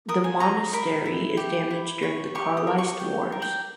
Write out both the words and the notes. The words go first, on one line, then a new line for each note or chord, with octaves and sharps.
The monastery is damaged during the Carlist Wars.
A#4 D#6
G#5
D#5 A#5
A#4 B5
E4
G4
E4
C#5
G4 C#6
D#6
A#4
C#6
G4
A#4
G5